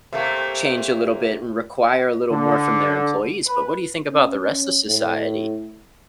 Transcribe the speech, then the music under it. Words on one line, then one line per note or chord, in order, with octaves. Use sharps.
change a little bit, and require a little more from their employees, but what do you think about the rest of society?
C3 A3 A#3
D3
B4
C#4
A2